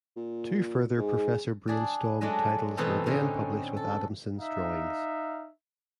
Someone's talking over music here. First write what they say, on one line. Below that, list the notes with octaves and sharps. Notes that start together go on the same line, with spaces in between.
Two further Professor Branestawm titles were then published with Adamson's drawings.
A#2
G#2 G#4
D4 G#4 D5
F#3 G#3 A3 D4 D#5
B2 E3 A3 C4 D#4 A4
A2 D3 C4 C#4 D#4 G#4
A4
D#4 E5 F5